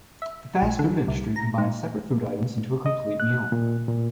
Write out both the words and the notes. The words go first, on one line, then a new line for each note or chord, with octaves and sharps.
The fast food industry combines separate food items into a complete meal.
E5
A#1
D3
C2
A#5
G#2
D#5
F#6
A#2
A#2